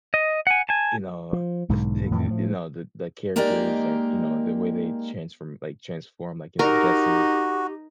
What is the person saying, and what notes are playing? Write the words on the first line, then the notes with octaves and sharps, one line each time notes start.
you know, the the, you know, the the characters, like, you know, the way they transform, like transform, like, you know, Jesse,
D#5
F#5 G#5
G#5 A5
F3
B1 G#2 D3
F2 A2 D#3 E3
A2 F3
G#3 A#3 D#4 G4 A#4 D5
D#4 F#4 G4 A#4